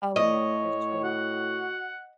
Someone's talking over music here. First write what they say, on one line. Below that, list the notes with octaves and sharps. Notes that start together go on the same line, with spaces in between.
Oh yeah, for sure.
A2 A3 C#5 D#5
F#4 F#5